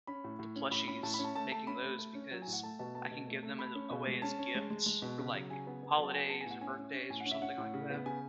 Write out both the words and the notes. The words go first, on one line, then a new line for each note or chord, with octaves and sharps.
the plushies, making those, because I can give them a away as gifts for, like, holidays, or birthdays, or something like that.
C#4 B5
A2
A2
C#4
A2 B5
C#4 B5
A2 A5
B5
C#4
A5
A3 A5
A3 A5
C#4 B5
A3
A3
C#4
F#3
G#5
A2
F#5
A3 A5
B2 A5
A3 A5
B2
A3
A3
A3 B5
C#4
B2
G#3
C#4 A5
C#4
G#3
G#3
G#3
B2
C#3
F#3
C#3 G#5
B3
B3
F#3
A5
B3 G#5
B3 A5
G#5
A2 F#5
C#4 G#5
C#4
C#4
A2 G#5
F#5
C#4
E5
C#4 F#5
A2
C#3
B3
C#3 G#5